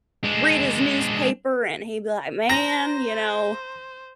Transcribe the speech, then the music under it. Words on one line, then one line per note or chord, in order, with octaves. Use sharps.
read his newspaper and he'd be like, "Man, you know,
G#3 D4
C5 A#5 A#6